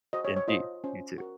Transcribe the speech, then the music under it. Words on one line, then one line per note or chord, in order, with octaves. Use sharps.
Indeed, you too.
F#4 C5 D#5
C#5
C#5
F4 C5 D#5
C#4 F4 C5
F#4 A#4